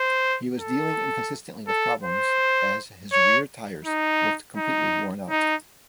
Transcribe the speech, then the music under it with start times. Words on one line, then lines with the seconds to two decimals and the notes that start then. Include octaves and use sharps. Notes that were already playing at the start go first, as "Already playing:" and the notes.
He was dealing inconsistently with problems, as his rear tyres looked completely worn out.
Already playing: C5
0.60 A4
1.68 A4
2.04 C5
3.13 C#5
3.85 D#4
4.58 D#4
5.30 D#4